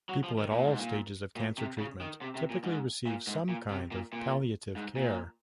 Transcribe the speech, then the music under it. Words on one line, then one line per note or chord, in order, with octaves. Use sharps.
People at all stages of cancer treatment typically receive some kind of palliative care.
F#3
F3
D#3
A#2
G#2
A#2
A#2
C3
C#3
D#3
C3
C3
A#2
G#2
A#2
G#2
A#2
C3
A#2
A#2
G#2
A#2